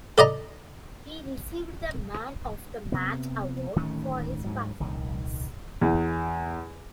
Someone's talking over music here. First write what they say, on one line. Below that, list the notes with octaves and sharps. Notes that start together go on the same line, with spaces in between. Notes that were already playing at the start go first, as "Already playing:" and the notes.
He received the man of the match award for his performance.
A4 D5 D#5 A#5
C3 B3
D1 D#3 A3 C#4
D2 G#2 F#3
D#1 C2 D#3
E2